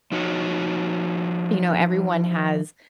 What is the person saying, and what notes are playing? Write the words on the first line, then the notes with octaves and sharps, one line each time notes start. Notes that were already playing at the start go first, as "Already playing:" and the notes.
you know, everyone has
F3 D#4 F#4 C#5